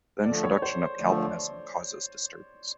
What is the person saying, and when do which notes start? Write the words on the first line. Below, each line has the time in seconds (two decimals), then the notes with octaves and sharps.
The introduction of Calvinism causes disturbance.
0.24 D3 F3 A3 D5
0.44 C#5
0.62 C5
0.99 D3 F3 A3 D5
1.18 C#5